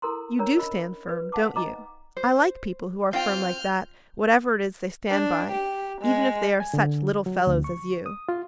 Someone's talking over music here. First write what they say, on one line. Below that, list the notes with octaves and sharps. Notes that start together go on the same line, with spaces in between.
You do stand firm, don't you? I like people who are firm like that whatever it is they stand by, even if they are such little fellows as you.
E4 A4 A#4 A#5 C6
C#4 D4 A#4 C#5 A#5
A#4 D#5 B5
B4
F5 F#5 A5 D6
D#4 D#5 A#5 D6
C5
C4 F4 F5 G5 F6 G6
D4
G4
G#3
G#5
D3
F#3
D2
C#6
D#6
F4